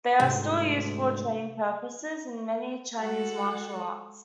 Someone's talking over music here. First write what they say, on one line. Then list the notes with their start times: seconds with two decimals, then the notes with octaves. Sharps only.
They are still used for training purposes in many Chinese martial arts.
0.20 D2 G#2 C3
2.98 G#3 F#4 A4 F#5